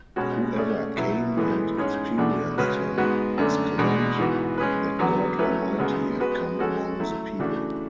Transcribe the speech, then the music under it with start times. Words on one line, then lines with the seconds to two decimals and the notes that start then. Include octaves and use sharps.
Whoever came and experienced him exclaimed that God Almighty had come among the people.
0.16 B2 G#3 C#4 F#4 C#5
0.56 A3 C#4 G#4 D5
0.97 B2 F#3 B3 E4
1.37 A2 E3 G#3 B3
1.77 G#2 G#3 C#4 G#4 C#5
2.18 E2 B2 A3 D4
2.58 C#3 G#3 C#4 F#4 B4
2.98 G#2 G#3 B3 F#4 B4
3.38 F#2 D3 A3 D4
3.78 E2 B2 G#3 D4
4.18 G#2 E3 B3 F#4
4.58 G#3 C#4 G#4 B4
4.99 E2 D3 F#3 B3 F#4
5.39 F#3 A3 C#4 E4 B4
5.79 F#2 C#3 G#3 B3 F#4
6.20 G#3 B3 F#4 B4
6.59 G#3 C#4 F#4 A4
7.00 F#3 A3 E4
7.39 C#3 E3 A3 D4 F#4